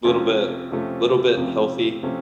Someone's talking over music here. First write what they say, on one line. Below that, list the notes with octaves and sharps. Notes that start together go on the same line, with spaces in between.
Little bit little bit healthy,
F2 C3 F3 A3 C#4
F2 C3 F3 A3 C#4
F2 C3 F3 A3 C#4
C3 F3 A3 C#4